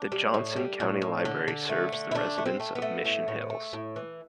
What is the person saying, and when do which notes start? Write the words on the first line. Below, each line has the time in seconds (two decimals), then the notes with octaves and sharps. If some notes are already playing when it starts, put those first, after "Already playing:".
The Johnson County Library serves the residents of Mission Hills.
Already playing: D4
0.12 G3
0.34 A2
0.56 G3
0.80 A2
1.02 A2
1.25 D3
1.48 D3
1.69 A3
1.92 D3
2.11 E4
2.15 A3 D4
2.38 A3
2.46 C4
2.60 A3
2.75 B3
2.82 A3
3.04 A2 B3
3.28 A2
3.50 A3
3.73 A2
3.96 E3